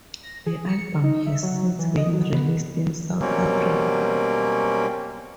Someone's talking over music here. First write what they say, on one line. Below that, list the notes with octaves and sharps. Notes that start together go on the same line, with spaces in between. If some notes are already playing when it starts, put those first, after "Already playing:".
The album has since been released in South Africa.
A#6
G#4
C#7
D#4
E5
F#3
E3
D#5
F#3
B3
B2 F#3 G3 A#3 C4 C#4